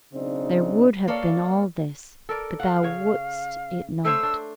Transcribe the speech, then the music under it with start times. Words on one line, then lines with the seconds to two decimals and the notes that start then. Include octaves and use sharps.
There would have been all this--but thou wouldest it not.
0.13 B1 C#3 C4 D4 D#4
1.08 A#3 A4 C#5 D5 F5
2.29 A4 A#4 D5
2.60 F5 F#5
2.83 C#3 C#5
4.05 A3 C5 C#5 E6
4.23 D4